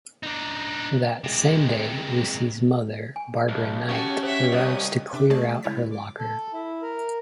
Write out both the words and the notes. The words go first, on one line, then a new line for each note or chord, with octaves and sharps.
That same day, Lucy's mother, Barbara Knight, arrives to clear out her locker.
D4 D#4
C3 G#3
G#5
B1
C#3 C#4 F#4 G4 A4 C#5
C5 E5 F#5
C2 C#4 C5 D#5 D#6
C3 D4 E5 G5 D6
A3 C4 G#4 D5 A5
C#3 G#3 E4 C#5 A6 B6
D6
A4
E4
A#4